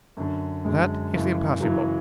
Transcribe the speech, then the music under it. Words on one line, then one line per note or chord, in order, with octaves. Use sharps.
"That is impossible."
F#2 D3
F#2 D3 G#3
F#2 C#3 E3
F#2 C#3 E3 F#3
F#3